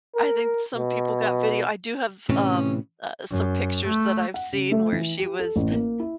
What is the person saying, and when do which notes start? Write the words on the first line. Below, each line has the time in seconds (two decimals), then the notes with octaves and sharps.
I think some people got video, I do have, um, uh, some pictures that I've seen where she was
0.15 A#4
0.76 B2
2.30 A2 C3 E3 C#4
3.31 F#2
3.86 A3
4.34 F#5
4.52 C#3
4.72 A3
4.92 E3
5.17 G4
5.39 A4
5.56 A1
5.71 A#3
6.00 E4